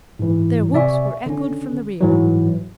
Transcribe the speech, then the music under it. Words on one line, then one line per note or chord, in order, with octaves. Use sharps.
Their whoops were echoed from the rear.
G#2 E3
C3 D5 E5 G#5 C#6
D3 C#4
G#2 E3 F#3